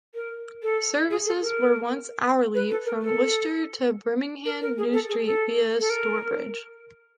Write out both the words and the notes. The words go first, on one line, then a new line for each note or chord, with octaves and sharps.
Services were once hourly from Worcester to Birmingham New Street via Stourbridge.
A#4
A4
G#4
A4
A#4
B4
A4
A#4
A4
A#4
A#4
G#4
A4
G#4
A4
A4
A#4